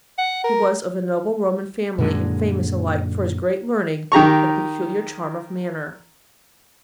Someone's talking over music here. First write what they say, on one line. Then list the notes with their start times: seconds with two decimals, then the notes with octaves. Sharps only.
He was of a noble Roman family, and famous alike for his great learning and peculiar charm of manner.
0.18 F#5
0.44 A#4
1.98 F#2 A#2 D3 G#3
4.12 D#3 G4 A#5 C#6